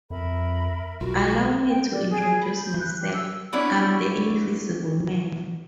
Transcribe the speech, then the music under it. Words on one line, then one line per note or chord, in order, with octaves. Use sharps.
Allow me to introduce myself--I'm the Invisible Man!
F2 A#4 E5 B5
B1 F4 F#4 A#4
G5
D5
G#4
B5
G6
F#6
G4
E6
B3 C#4 D4 E4 C#5